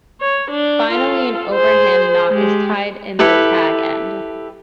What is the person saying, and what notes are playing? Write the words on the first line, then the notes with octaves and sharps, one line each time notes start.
Finally, an overhand knot is tied in the tag end.
C#5
D4
F4 A4
G#4 C5
G#3 G4
E4 G4 A4 B4